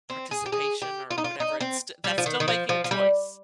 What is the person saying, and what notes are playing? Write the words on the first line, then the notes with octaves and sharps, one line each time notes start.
"Non-participation," or whatever. It's st that's still making a choice.
C4
G#4
G4
G#4
G4
F4
D#4
F4
D#4
C4
G3
F3
D#3
D#3
F3
F3
F3
G3